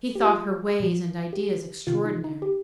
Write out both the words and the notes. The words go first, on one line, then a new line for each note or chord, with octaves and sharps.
He thought her ways and ideas extraordinary.
G4
F4
A#2 F3
G4
C3 D#3 F4
D#4
D#4
G4